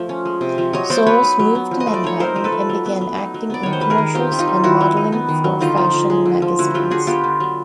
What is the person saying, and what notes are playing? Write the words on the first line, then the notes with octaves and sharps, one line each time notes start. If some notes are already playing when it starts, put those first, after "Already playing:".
Soles moved to Manhattan and began acting in commercials and modeling for fashion magazines.
Already playing: F3 A3
C#4
G#3
C3
F3
F#3 C#5 D#5
B3 C5 D5
F#3 B4 C#5
D#4
F#3
B3
F3
D#5
A3
D5
D#4 C#5
C4 A#4 C5
F3
A4 B4
A3
F#3
B3
F#3
D#4
F#3
B3 D5
D#3 C#5
C5
G3 B4
G#4 A#4
D#3
C4 F4 G4
D#3
D#4 F4
G3
D#3 E4 F#4
F#3
D#4
B3
D#3
F#3
D3 D#4 F4
F3
D3
G#3
D3
F3
D3 E4 F#4
F#3 F4 G4
D4 F#4 G#4
B3 F4 G4
D3
F#3